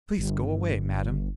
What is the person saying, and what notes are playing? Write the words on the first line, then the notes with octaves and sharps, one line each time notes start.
"Please go away, madam!"
G1